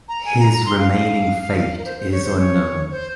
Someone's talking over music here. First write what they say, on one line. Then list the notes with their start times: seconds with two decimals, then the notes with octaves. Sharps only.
His remaining fate is unknown.
0.08 A#5
0.25 G#5
0.39 A#5
0.53 A#5
0.66 C6
0.79 F5
1.78 A#4
1.85 C5
1.99 C5
2.12 C#5
2.25 C5
2.38 C#5
2.91 C5